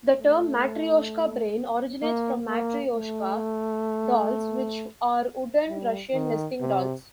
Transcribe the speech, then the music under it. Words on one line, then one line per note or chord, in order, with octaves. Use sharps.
The term "matrioshka brain" originates from matryoshka dolls, which are wooden Russian nesting dolls.
A3
A#3
A#3
A3
G3
D#3
C3